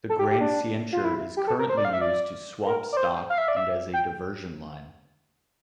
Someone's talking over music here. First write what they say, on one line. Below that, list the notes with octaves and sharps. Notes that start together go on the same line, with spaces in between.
The Grande Ceinture is currently used to swap stock and as a diversion line.
A4
G4
G4
D4
F4
E4
G4
A4
A#4
C5
D5
F5
E5
D5
A#4
D5
C5
F5
E5
D5
E5
G5